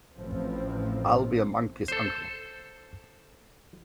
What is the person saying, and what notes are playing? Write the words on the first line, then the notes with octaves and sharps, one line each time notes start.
I'll be a monkey's uncle!
A1 A2 F3 C4
A4 C5